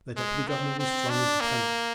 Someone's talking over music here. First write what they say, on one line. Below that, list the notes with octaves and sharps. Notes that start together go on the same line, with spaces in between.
The Deputy-Governor was flung into panic.
G#3
C4
C4
D4
A#3